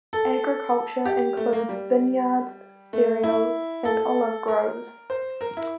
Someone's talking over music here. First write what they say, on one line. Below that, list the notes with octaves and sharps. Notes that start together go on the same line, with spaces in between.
Agriculture includes vineyards, cereals, and olive groves.
A4
G4
A3
A#3
G3
A3
E4
A4
A#4
C5
A#4
E4